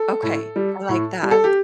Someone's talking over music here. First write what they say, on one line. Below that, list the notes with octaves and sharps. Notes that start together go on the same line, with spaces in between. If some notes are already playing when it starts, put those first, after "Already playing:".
Okay, I like that.
Already playing: A4
A2
G3
A2
G3
A4
G4